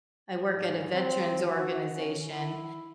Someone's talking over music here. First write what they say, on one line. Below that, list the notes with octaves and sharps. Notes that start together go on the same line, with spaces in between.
work at a veterans organization,
G#2
C4
F#4
C#4
E4